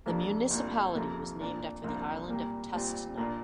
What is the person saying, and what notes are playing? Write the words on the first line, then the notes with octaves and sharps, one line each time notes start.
The municipality was named after the island of Tustna.
F2 C3 A#3 D4
C2 A#2 A#3 D4 F4
F2 C3 A#3 F4
A#2 A#3 D4 F4
C2 C3 F3 A#3 D4
A#2 G3 A#3
A#2 G3 C4 F4
A#2 A#3 D4 F4